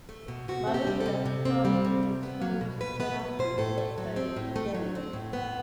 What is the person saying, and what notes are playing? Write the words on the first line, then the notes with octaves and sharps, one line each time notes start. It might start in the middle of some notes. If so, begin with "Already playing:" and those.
Mallika tries to expose Janaki but fails again.
A3
B2
C3 F#4
C4
G4
G3
A4
C3
C3
C4
G3
C3
B2
B3
F#3
B2
B2 B4
B3 B4
F#3 B4
B2 C5
A2 A4
A3
F#3 A4
C4
A2
A3
F#3
C4
A2
B3